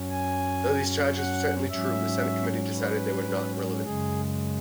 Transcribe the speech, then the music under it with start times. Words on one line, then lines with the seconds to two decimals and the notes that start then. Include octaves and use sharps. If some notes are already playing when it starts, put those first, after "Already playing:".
Though these charges were certainly true, the Senate Committee decided they were not relevant.
Already playing: F#2 F#3 C#4
0.10 G#5
1.16 F#5
1.70 G#2 F#3 C#4 E5
2.76 B4
3.83 F#2 C#3 G#3 G#4